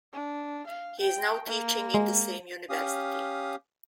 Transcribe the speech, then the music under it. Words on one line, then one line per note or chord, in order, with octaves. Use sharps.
He is now teaching in the same university.
D4
F5
G5
A#3
G#3
C#4 G4 F5 D#6